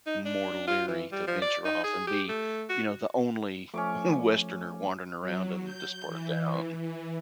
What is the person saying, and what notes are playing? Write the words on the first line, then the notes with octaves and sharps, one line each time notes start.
more leery to venture off and be, you know, the only westerner wandering around in this part of town.
D#4
D4
F4
E3
G3
F3
D5
D#4
G#4
G4
A3
F#4
F3 A3 C#4 C#6 D6
F#3
G6
E3
E3